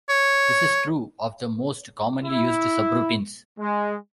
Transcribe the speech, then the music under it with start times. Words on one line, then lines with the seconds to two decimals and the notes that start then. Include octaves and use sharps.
This is true of the most commonly used subroutines.
0.09 C#5
2.24 E4
3.59 G#3